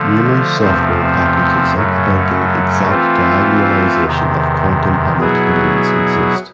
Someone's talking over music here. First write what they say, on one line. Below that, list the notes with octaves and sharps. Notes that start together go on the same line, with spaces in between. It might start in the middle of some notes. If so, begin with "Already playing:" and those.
Numerous software packages implementing exact diagonalization of quantum Hamiltonians exist.
Already playing: D3 F3 A3
E2 C3 F3 A3 C4
F#2 C#3 F#3 A3
E3 A3 C4 F4
E2 C3 D#3
B2 F#3 B3 E4 G#4